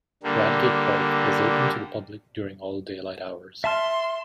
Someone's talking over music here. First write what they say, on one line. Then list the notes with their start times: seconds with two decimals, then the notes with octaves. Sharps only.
Bradgate Park is open to the public during all daylight hours.
0.23 D3 G3 A#3
3.64 E5 A5 C6 F6